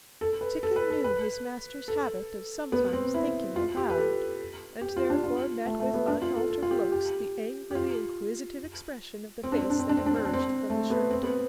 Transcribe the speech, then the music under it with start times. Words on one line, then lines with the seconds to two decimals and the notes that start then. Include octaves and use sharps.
Tikhon knew his master's habit of sometimes thinking aloud, and therefore met with unaltered looks the angrily inquisitive expression of the face that emerged from the shirt.
0.21 A4
0.41 B4
0.63 A4
0.76 B4
0.90 A4
1.04 B4
1.88 A4
2.72 B3
2.93 C4
3.14 E4
3.56 F4
3.77 G4
3.90 B4
3.98 A4
4.81 G4
4.97 F4
5.10 D4
5.24 F4
5.66 A3
5.80 A3
5.94 B3
6.08 D4
6.22 F4
6.36 A4
6.50 A4
6.63 F4
6.71 G4
6.92 G4
7.71 G4
7.75 F4
9.43 C4
9.52 D4
9.61 C4
9.70 D4
9.79 C4
9.89 D4
9.97 C4
10.06 D4
10.16 C4
10.25 D4
10.33 C4
10.70 A3
10.90 B3
11.11 C4
11.23 B3